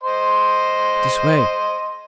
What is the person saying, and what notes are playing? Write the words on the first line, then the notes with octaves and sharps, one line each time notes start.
"This way."
C5 D#5 C6